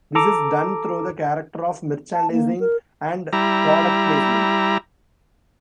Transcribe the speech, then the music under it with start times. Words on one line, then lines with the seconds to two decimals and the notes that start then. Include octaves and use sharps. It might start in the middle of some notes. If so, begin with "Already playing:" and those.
This is done through the character of merchandising and product placement.
0.15 A4 A#5 D6
2.13 A5
2.32 A#3
2.60 A#4
3.33 G3 E4 A#5